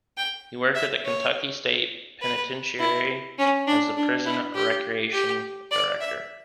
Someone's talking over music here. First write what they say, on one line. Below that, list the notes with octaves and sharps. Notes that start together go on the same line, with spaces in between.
He worked at the Kentucky State Penitentiary as the prison recreation director.
G5
E5
C#5
B4
E4
C#4
D4
D4
E4
G4
G4
D5
E5